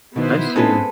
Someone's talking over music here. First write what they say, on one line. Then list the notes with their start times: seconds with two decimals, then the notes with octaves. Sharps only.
I see.
0.16 B2 D#3 B3 E4 C5
0.56 G#3 C4 C#4 D#4 A4 B4